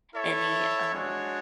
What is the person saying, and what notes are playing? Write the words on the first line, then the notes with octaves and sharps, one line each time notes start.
any, um,
E4 A4 C#5 E5
G#3 D4 F#4 C#5